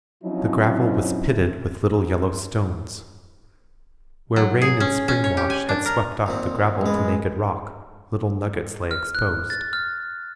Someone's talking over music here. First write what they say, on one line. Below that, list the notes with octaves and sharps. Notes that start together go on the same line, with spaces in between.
The gravel was pitted with little yellow stones. Where rain and spring-wash had swept off the gravel to naked rock, little nuggets lay exposed.
F3 F#3 C4 C#4 D#4 E4
F#3
G#4
C#4
C#4
C#5
G4
G#5
D4
A#4
D#2 A#2 C4
A1 G#3 B3
F6
F#6
A6
F6